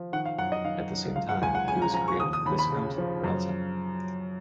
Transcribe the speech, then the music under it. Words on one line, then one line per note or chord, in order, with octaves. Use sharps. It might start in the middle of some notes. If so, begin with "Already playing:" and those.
At the same time, he was created Viscount Rialton.
Already playing: F3
D#3 F#5
F5
F#2 F#5
D#5
D#3 F5
F#2
C#2 F5
F#5
C#2 G#5
F#5
C#3 G#5
A#5
F3 A#5
C#6
D#2 D#6
D#6
D#2 B5
B5
C#3
F3
F#2